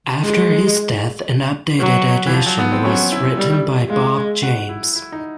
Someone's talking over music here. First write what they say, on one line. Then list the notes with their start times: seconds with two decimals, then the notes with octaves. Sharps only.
After his death an updated edition was written by Bob James.
0.23 E3 G#3
1.80 F#3
2.27 E3
2.33 F3
2.46 F#3
2.59 B3
2.72 C4
2.85 F#3 C#4
3.12 E4
3.38 G3
3.90 G#3 F4
4.42 F#4
4.69 E4
4.95 E4
5.12 D#4